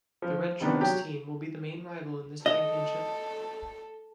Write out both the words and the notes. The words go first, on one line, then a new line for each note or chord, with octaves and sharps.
The Red Sharks team will be the main rival in this championship.
F3
C3 D#3 B3 D4
F#3 G4
A4 D#5